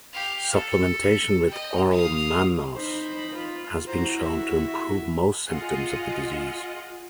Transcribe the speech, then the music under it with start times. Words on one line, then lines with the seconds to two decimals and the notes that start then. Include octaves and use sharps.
Supplementation with oral mannose has been shown to improve most symptoms of the disease.
0.13 G4 F5
0.53 A4
1.47 D#5 G5
1.90 F5 D#6
2.75 D#4 C5 B5
3.34 F4
3.87 E4 F#4 C5 A#5
4.21 E5
5.47 F4 G#4 D#5 F#5